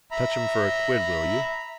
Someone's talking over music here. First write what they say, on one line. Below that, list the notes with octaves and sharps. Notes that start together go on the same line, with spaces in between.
Touch him for a quid, will you?
E5 A#5 B5